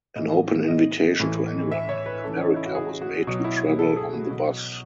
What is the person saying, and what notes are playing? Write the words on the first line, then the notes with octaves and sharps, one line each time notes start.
An open invitation to anyone in America was made to travel on the bus.
A2 E3 D#5
D#5
A2 E3
E5
C#5
B4
C#3 E3 A4
C#4
D#4
E4
F#4
G#4
F#4
B2 F#3
E4
A4
G#4
F#4
B2 F#3